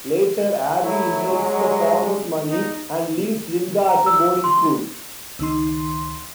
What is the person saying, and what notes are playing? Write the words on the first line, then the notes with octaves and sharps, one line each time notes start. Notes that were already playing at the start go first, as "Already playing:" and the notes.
Later, Abby inherits the farmer's money and leaves Linda at a boarding school.
F#3 A3 E4
G3 G#3
E2 D#4
A#5
E6
C6
C#2 D#3 D#4 C6